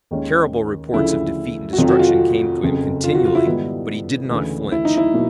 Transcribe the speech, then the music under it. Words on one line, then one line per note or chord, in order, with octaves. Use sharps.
Terrible reports of defeat and destruction came to him continually, but he did not flinch.
D#2 D#3 G#3 C#4
D2 C#3 F3 A3 E4
F#4
F2 C3 D#3 F#3 F4
F#4
F4
F#4
F#1 F2 C#3
F4
F#4
F4
E4
G#2 D#3 G3 B3 E4
D2 C#3 E3
E4
D#4
E4
B2 F#3 A#3